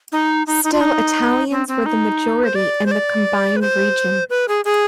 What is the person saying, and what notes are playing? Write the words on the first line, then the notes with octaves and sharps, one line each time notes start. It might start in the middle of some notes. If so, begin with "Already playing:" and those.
Still Italians were the majority in the combined region.
D#4
D#4
D#4
F4
D#4
C4
C4
D#4
C5
D5
C5
D5
B4
C5
B4
G#4
G#4